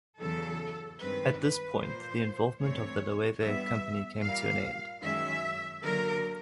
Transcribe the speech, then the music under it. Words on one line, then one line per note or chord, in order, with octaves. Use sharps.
At this point the involvement of the Loewe company came to an end.
E2 C#3 F#3 A4
G2 D#3 G#3 C4 B4
B4
A#2 F3 A#3 C5
G2 E3 A3 C4 C#5
G2 E3 G3 B3 E5
A#2 G3 A#3 F5
F#2 D#3 G#3 C#4 E5
D3 F#3 A#3 A#4